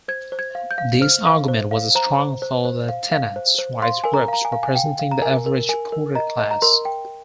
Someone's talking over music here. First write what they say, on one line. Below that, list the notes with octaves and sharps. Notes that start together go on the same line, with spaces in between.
This argument was strong for the tenants rights groups representing the average poorer class.
C5 G#6
C5
G#6
F5
G6
F5
C5 F6
F5
C5
F5
C5 A#5
C5
C5
C5
F5
F5
C5
C5
F5 C6
A#4 G#5
A#5
F5 A#5
G#5
F5
G#5
F5 G5
F5
A#5
A#4 G#5
A#4
A#4 G#5
A#4
D#5 A#5
D#5
A#5
A#4 C6
G5